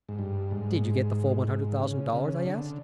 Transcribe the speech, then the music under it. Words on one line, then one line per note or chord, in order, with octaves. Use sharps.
"Did you get the full one hundred thousand dollars?" I asked.
G#2
G2
G#2
G#2
C#3
C#3
D3